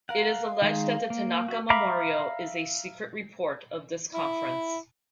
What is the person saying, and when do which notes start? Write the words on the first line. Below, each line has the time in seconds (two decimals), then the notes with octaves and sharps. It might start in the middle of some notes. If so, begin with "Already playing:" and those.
It is alleged that the Tanaka Memorial is a secret report of this Conference.
0.09 A#4 F5 F#5
0.62 D#3 G#3
1.10 A#3
1.48 F#4 E5
1.70 E5 F5 A#5 B5 D6
4.14 E4